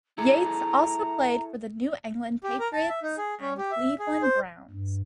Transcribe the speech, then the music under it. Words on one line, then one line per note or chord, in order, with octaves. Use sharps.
Yates also played for the New England Patriots and Cleveland Browns.
E4 G#4 A4 A#5
G4
A#4
A5
E5
D#4
G#4
C#4
G4
E5
G#4
C5
G2